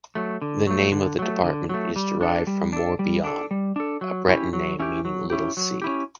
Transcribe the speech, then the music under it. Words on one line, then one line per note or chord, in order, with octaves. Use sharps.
The name of the department is derived from Mor-Bihan, a Breton name meaning Little Sea.
F#3 A3
D3
F#3 A3
D3
F#3 A3
D3
F#3 A3
G3
D4 A4
G3
D4 A4
G3
D4 A4
G3
D4 A4
F#3
C#4 E4 G4
F#3
C#4 E4 G4
F#3
C#4 E4 G4
F#3
C#4 E4 G4